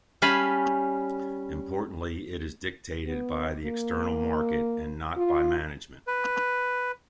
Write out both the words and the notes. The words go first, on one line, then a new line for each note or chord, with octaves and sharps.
Importantly, it is dictated by the external market and not by management.
G3 C#4 F5 G#5 A5 B5
B3
A#3
F4
B4